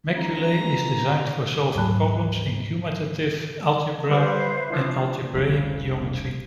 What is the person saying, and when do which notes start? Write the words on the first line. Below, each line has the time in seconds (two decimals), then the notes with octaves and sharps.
Macaulay is designed for solving problems in commutative algebra and algebraic geometry.
0.17 F2 D4 E4 A#5
1.75 D2 G#2 F#3 A5 B5 F#6
4.10 G3 B4 C5 E5
4.70 F3 D4 E4
5.35 F1 C2 C#3